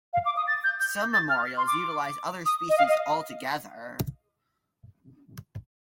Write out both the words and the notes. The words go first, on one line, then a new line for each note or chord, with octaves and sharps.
Some memorials utilise other species altogether.
F5
D6
D#6
A6
G6
G6
G6
A6
F6
C6
D6
D#6
D#5
F5
D#5